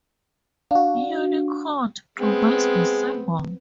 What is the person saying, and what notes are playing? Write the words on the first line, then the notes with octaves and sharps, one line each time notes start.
Unicode provides the symbol.
D4 F#4 F5
G#3 B3 C4